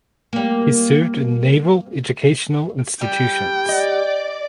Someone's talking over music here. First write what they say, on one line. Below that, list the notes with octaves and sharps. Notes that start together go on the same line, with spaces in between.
He served in naval educational institutions.
G3 A#3
G3 G5
D5 D#5